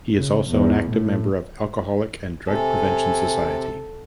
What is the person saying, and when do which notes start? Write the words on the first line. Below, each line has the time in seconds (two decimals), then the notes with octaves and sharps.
He is also an active member of Alcoholic and Drug Prevention Society.
0.16 C#3
0.50 E2
0.90 A2
2.48 C3 A4 G#5